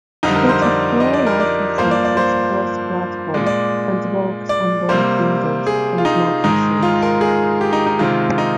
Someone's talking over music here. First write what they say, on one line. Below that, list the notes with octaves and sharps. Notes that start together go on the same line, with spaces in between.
SketchUp Pro licensing is cross-platform and works on both Windows and Mac machines.
F2 D3 G3 D#4
A#4
C5
D5
D#5
D5
A#4
D5
G2 F3 A#3 C5
D5
D5
C5
A#2 G#3 D5
D5
D5
C3 G3 A#3 C5
G#4
F4
D#4
G#2 D#3 G#3 D#4
F4
A#4
G#4
G4
D#4
D#4
C3 D#3 G#3 F4
D#4